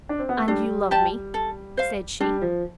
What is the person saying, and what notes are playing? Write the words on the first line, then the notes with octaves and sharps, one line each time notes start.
"And you love me?" said she.
D4
C4
B3
A3
G3 D4
G4 D5 A5
A4
C5 F5
G3 D4
F3